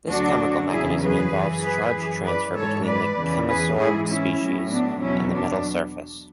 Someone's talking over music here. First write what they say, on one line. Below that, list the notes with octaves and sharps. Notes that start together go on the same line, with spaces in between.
This chemical mechanism involves charge transfer between the chemisorbed species and the metal surface.
D2 D3 F#3 D4 F#4
E2 C#3 F#3 E4 G#4
G#4 B4
F#2 E3
G#4 B4
E3
F#2
B4 D5
G#2 E3 A4 C#5
B4 D5
E2 C#3 E3
G#4 B4
G#2 E3 E4 G#4
C#4 E4
A2 F#3
B3 D4
E2 B2 F#3 C#4 E4
B3 D4